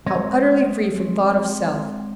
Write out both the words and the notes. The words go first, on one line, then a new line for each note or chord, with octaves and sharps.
How utterly free from thought of self!
G#3 C4 C#5 D#5 E5